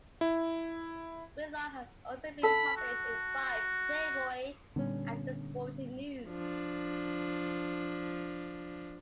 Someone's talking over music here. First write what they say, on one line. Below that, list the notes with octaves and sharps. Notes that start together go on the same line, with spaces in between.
Whitlock has also been published in "Vibe", "Playboy", and "The Sporting News".
E4
A4 B5
F#4
A#2 D3 G3 B3 C#4
F3 D4